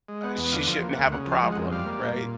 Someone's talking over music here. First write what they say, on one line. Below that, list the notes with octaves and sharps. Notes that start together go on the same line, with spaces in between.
uh, she shouldn't have a problem, right?
G#3
B3 F#5
E2
D3 F5
F3
F5
A#3
F#5
D2
C#3 F#5
F3 F5
G#3
F#5
F2
G3 F5
A#3
A#2
A#2